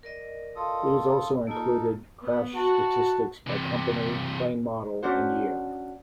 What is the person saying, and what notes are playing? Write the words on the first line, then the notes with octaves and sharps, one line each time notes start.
It also included crash statistics by company, plane model and year.
A#4 D5 D#5
F4 A4 D#6
A#3 D#4 F4 A4
B3
F#4 F#5 A5
C3 E3
C#4 D4 F#4 C5